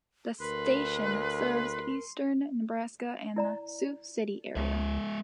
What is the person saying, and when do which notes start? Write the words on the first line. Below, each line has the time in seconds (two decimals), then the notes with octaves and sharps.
The station serves eastern Nebraska and the Sioux City area.
0.41 D2 A#4 B4 C6
3.36 E4 D5 A#5
4.56 C#2 G#3 E5